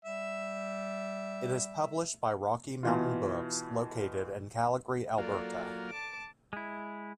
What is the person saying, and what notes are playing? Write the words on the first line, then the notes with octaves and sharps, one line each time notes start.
It is published by Rocky Mountain Books, located in Calgary, Alberta.
G3 E5
B2 E3 F4
F#3 A#3 F4 A4 D5
A5 D6
G#3 E4